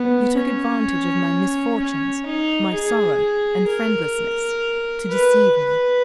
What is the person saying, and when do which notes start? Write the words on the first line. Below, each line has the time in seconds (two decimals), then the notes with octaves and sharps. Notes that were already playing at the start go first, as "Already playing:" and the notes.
You took advantage of my misfortunes, my sorrow and friendlessness, to deceive me.
Already playing: B3
0.37 C#4
1.79 C#4
2.26 D#4
2.73 G#4
3.68 A#4
5.10 B4
5.57 B4